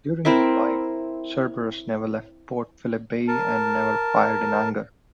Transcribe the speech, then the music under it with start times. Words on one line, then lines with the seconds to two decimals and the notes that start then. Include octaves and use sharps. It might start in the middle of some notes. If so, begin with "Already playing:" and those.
During her life, "Cerberus" never left Port Philip Bay, and never fired in anger.
0.25 C4 E4 A#4 E5
3.28 A#4 A5